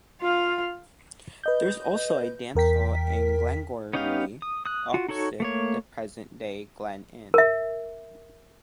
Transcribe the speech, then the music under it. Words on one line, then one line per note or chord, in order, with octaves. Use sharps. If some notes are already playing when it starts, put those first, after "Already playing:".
There is also a dance hall in Glengormley, opposite the present day Glen Inn.
F4 F5
B4 D#5 G6
E2 A#4 G5 B6
B3 C#4 D#4 G4 F5
D#6
D#6 F#6
F4 F#4
D#4 F#4 A4 C#5 C#6
A3 A#3 C#5
A#4 E5